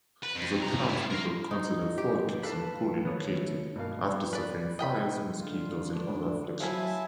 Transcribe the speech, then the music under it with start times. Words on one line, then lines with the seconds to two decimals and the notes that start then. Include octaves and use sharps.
The townspeople considered Fort Gibson poorly located after suffering fires, mosquitoes, and other afflictions.
0.23 B4
0.36 F2
0.62 C#3 A#5
0.88 E4 F4
1.10 A#4 F5
1.51 D#4
1.98 G4
2.43 A4 B4 F5 A5
3.05 D#3 A3 B3 C#5
3.76 G2 B2 A#3 F5
4.33 B4 D5
4.79 D#5 G5 B5
5.40 D3 F4
5.90 D4
6.60 F3 F#3 E4 E5 G#5 A5